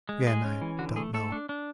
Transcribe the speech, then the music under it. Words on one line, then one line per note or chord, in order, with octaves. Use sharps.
Again I don't know.
G#3
G#3 G#4
C#4
E3
D3 F#4
A3 G#4
A3 A4
D4
D4